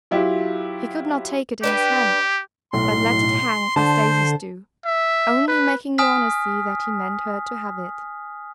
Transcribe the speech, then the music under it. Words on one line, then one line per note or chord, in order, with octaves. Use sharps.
He could not take it in his hand, but let it hang, as daisies do; only making Lorna see that he meant her to have it.
F#3 E4 F4 G4
D4 G4 B4 G5
B1 A2 C6
D3 C5 A5
E5
B4
G#5 D#6 F6 B6